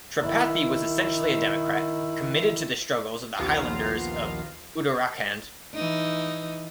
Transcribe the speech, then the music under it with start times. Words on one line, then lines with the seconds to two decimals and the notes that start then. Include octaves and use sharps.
Tripathi was essentially a democrat, committed to the struggles of the Highlanders of Uttarakhand.
0.19 D#3 E4
3.37 A#1 D#2 B3 F4 F5 A#5
5.74 E3 D#4